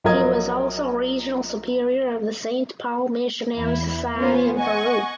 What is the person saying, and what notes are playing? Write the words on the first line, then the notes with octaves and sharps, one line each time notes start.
He was also regional superior of the St Paul Missionary Society in Peru.
A#1 F#3 F4 A#4 D#5 G#6
E2 E4
B3 C#4 F4 C5 C#5
D#5 F#5 G#5 C#6